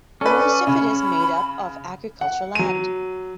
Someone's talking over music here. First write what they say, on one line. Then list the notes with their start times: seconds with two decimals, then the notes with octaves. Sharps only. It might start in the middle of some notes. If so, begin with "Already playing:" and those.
Most of it is made up of agricultural land.
0.21 C#4 A4 B4 D5
0.67 C#3 B5
2.21 F#5
2.55 F#3 D#7